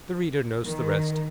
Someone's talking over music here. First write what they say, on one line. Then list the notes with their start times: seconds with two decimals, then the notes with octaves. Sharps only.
The reader knows the rest.
0.63 D#3